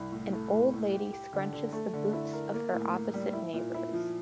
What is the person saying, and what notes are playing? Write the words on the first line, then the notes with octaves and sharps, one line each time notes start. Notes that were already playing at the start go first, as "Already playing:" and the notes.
An old lady scrunches the boots of her opposite neighbors.
Already playing: C2
A2
A3
A2
A2
G4
G4
D3
D3
A3
D3
E4
A#4
A#3
A2
A#3
G3
E4
A#2
E4
F3